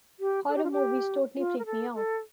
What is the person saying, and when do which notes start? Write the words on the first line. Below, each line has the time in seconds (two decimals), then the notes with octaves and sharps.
Horror movies totally freak me out.
0.20 G4
0.49 A4
0.56 G4
0.64 F4
0.71 G4
1.36 F4
1.58 A#4
1.66 A4
1.95 A4